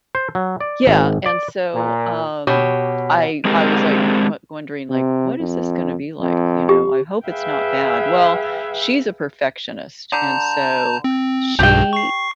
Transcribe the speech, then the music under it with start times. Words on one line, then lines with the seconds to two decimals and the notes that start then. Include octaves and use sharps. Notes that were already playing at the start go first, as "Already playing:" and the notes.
yeah, and so, um, I I was like won wondering, like, what is this gonna be, like, you know, I hope it's not bad, well, she's a perfectionist, and so she
0.15 C5
0.35 F#3
0.60 D5
0.87 G#1
1.26 D5
1.75 A#2
2.47 B2 G4 C#5
3.45 G#3 C4 D4 G4 A#4
4.90 C3
5.40 F2
6.21 F2
6.69 G4
7.28 G#4 B4 E5 F5 G5
10.12 D3 A5 A#5 G6
11.04 C4
11.59 B1 G2 B2 G4 G5
11.93 C#6 C7